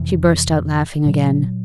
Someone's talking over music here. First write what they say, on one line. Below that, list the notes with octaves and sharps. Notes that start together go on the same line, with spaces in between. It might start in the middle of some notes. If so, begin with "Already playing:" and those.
She burst out laughing again.
Already playing: F2 C3 E3
A#2 F#3